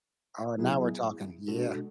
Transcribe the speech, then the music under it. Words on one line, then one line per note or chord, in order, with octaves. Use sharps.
Oh, now we're talking, yeah.
B2 F#3 B3 E4 G#4
B2 G#3 D4 F#4 A4